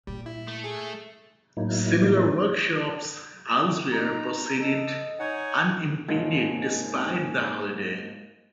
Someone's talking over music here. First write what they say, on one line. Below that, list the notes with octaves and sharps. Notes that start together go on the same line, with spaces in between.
Similar workshops elsewhere proceeded unimpeded despite the holiday.
A#2 G3
E4
A3
G#4
A2 F#3 A#3 D#4 E4
D#4 A#5
A4 D#5
D#4 C#5 F#5 G#5
G#2 A#3 D#4 G#5